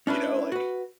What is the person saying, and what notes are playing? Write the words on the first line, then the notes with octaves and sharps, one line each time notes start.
you know, like,
C#4 D4 E4 B4
F#4 B4